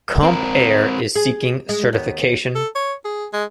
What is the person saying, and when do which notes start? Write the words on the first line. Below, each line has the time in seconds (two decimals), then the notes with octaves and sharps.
Comp Air is seeking certification.
0.23 C4 A#4
1.16 G#4
1.69 G#3
1.93 D#2 B3
2.55 A4
2.75 C#5
3.05 G#4
3.33 G#3